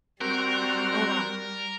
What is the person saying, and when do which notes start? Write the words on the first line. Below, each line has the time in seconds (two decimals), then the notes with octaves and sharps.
Oh, wow.
0.21 G3 C4 F#4 A#4